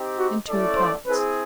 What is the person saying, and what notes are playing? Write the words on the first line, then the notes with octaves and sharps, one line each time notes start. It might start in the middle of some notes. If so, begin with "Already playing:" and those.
In Two Parts.
Already playing: C4 D#4 G4
F#4
A3 C#4 E4 A4 D5
C5
C4 E4 G#4 B4